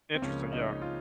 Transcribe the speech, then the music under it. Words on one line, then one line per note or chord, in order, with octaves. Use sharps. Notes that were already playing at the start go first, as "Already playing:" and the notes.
Interesting, yeah.
C4
C#2 C#3 F3 A#3 C#4
D#4
F4